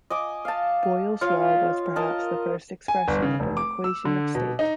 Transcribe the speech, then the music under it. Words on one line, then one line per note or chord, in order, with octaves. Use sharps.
Boyle's Law was perhaps the first expression of an equation of state.
D#5 G#5 D6
F5 A5
F4 C#5 F5
A#4 D#5 A5 A#5
G#5
G1
C#3
F1
D6
E6
D3
B2
D#4